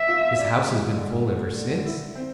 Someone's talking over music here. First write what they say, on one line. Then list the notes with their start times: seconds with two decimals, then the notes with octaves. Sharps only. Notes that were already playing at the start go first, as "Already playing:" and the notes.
His house has been full ever since.
Already playing: E5
0.08 F4
0.38 D4
0.67 G#3
0.96 D3
1.27 A3
1.56 D3
1.86 E4
2.15 C4